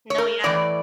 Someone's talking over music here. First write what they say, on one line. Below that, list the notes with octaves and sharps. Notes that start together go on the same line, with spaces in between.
No, yeah.
C#5
A#4
A2 E3 D5